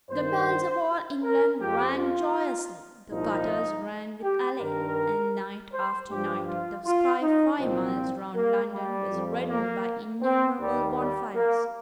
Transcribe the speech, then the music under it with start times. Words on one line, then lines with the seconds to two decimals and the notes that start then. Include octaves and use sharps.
The bells of all England rang joyously: the gutters ran with ale; and, night after night, the sky five miles round London was reddened by innumerable bonfires.
0.10 G2 D#3 C5
1.22 A#4
1.60 F2 F3 G4
1.98 F4
3.10 C2 A#2 F3 D#4
4.23 G4
4.59 G2 D#3 A#4
5.73 C5
6.09 G2 F3 G4
6.47 F4
6.85 F4
7.22 D#4
7.59 C2 A#2 F3 C4
8.35 A#3
8.72 G3
9.09 F2 F3
9.48 A#3
10.22 C4
10.60 D#2 D#3 G3
10.97 G3
11.34 A#3